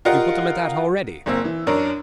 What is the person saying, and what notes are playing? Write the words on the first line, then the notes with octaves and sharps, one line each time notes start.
You put them at that already?...
F4 G4 A#4 D#5 F5 F#5
F#1 A#3 C4 E6
E3
F#2 D4 A#4 C#5